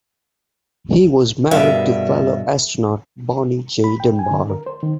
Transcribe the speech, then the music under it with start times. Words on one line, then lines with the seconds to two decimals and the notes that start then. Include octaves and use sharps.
He was married to fellow astronaut Bonnie J. Dunbar.
1.51 G2 B2 G#4 A#4 E5 F5
3.84 B5
4.00 G5
4.19 G#5
4.31 D3
4.50 A#4
4.66 C5
4.83 D#3